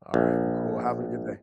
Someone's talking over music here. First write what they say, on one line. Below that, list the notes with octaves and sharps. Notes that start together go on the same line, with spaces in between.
All right, well, cool. Have a good day.
A#1